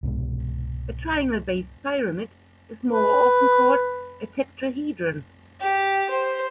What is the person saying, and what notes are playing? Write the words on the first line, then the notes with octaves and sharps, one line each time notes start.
A triangle-based pyramid is more often called a tetrahedron.
C2 G#2 B2 G#3
B4
G4
C5